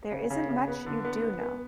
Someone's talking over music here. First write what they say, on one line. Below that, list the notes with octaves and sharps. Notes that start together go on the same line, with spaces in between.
There isn't much you do know.
C#3
C#3
C#3
B3
D3
B3
B3
B3